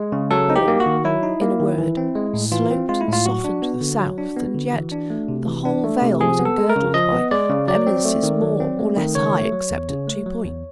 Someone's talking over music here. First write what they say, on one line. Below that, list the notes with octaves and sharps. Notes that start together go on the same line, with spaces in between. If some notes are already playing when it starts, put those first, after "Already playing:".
All, in a word, sloped and softened to the south; and yet the whole vale was engirdled by eminences, more or less high, except at two points.
Already playing: G#3
C#3
F#3 A4
D#4
G4
A#3
F#4
D#3
F#3 E4
D#4
A#3
D#3
E3
C4
G#3
A2
E3 F4
C4
G#3 F4
E4
A2 F4
F#3 F#4
D4
B3
D3
F#3
D4
B3
D3
E3
D4
A3
C3
E3
D4
A3
C3
F3 G#4
B3
A4
G#3
A#4
C#3
F3 D#5
B3
G#3 D5
C#3
F#3 D5
C4
A3
D#3
F#3
C4
A3
D#3
C#3 C#5
A3
F#3
E2
C#3
A3
F#3
E2